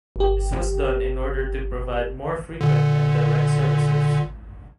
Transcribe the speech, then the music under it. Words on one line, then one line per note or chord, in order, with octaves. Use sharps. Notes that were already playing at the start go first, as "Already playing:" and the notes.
This was done in order to provide more frequent and direct services.
G1 G4
A#2 D3